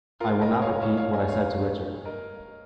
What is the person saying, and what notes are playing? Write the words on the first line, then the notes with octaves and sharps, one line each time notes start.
I will not repeat what I said to Richard.
F4 A#4
A#4 D#5
C#5 F5
C#5 F5
C#5 F5
D#5 G#5
C#5 F5
A#4 D#5